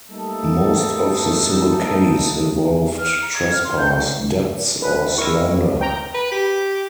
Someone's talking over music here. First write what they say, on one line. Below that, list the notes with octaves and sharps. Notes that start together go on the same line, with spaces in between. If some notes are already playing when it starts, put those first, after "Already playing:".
Most of the civil case involved trespass, debts or slander.
G3 A3 A#3 D#4 A4
F6
A#5
G#6
F6
C6
G6
B4
E4 A#4 C#6
G5 A#5
B4
G4